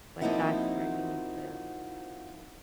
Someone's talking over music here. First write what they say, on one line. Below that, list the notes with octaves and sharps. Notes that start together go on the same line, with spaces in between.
but that's where you need to
F3 A#3 C4 D#4 E4 F#4